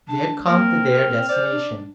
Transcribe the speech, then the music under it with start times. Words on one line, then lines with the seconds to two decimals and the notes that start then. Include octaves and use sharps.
They had come to their destination.
0.08 D4 A5
0.47 A#3 C4 A#4
0.91 A#4 F6
1.29 C5 D5
1.51 D4